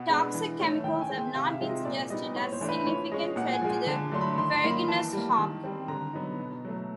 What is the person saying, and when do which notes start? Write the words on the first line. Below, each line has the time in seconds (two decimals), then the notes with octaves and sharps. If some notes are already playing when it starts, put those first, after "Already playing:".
Toxic chemicals have not been suggested as a significant threat to the ferruginous hawk.
Already playing: B2 F#5
0.09 G#3 B3 D4
0.34 E3
0.59 A3 C#4
0.84 D#3 G5
1.01 G#5
1.09 G#3 C4
1.17 G5
1.34 C3 F5
1.52 E5
1.61 F3 G#3 C4 D#4
1.69 D#5
1.85 A#2 D5
2.10 G3 B3 D#4 D#5
2.36 A2 C#5
2.53 C5
2.61 E3 A3 D4
2.69 B4
2.86 F3 C#5
3.11 G#3 C#4 D#5
3.36 A#2 F#5
3.53 G#5
3.62 F3 G#3
3.70 G#5
3.87 D3 A5
4.12 F#3 A3 D4 C6
4.21 B5
4.37 D#3 C6
4.54 C6
4.62 F#3 A#3 D#4
4.70 B5
4.87 E3 A5
5.12 G3 A#3
5.38 D#3
5.64 G3 C4
5.88 D3 A#5
6.13 F#3 B3 D#4
6.39 B2
6.65 F#3 A3